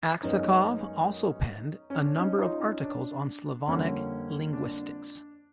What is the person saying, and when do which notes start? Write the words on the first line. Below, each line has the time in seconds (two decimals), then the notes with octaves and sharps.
Aksakov also penned a number of articles on Slavonic linguistics.
0.23 F#2 D#3 G#3 B3 C#4 D#4
1.90 C#4
1.96 D4
2.17 C#4 D#4
2.38 D#4 F4
2.60 C#4 D#4
2.82 D4
3.67 F2 D3 G3 A#3 C#4
4.53 D4